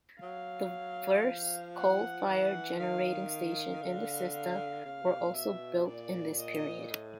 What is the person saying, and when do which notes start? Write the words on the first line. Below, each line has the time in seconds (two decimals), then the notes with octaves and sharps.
The first coal-fired generating stations in the system were also built in this period.
0.21 F#3 F5
1.24 F3
1.76 F#5
2.27 E3 F#5
2.79 D#3 F5
3.30 F5
3.82 D3
4.33 F5
4.85 C#3 F5
5.02 C3
5.19 A#2
5.36 B2 E5
5.87 A#2 D5
6.39 D#5
6.90 A2